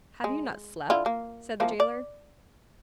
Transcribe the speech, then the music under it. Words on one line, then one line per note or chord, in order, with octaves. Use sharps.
"Have you not slept?" said the jailer.
G#3
D3 E4 F4
A#3
E3 F3 A#3
D5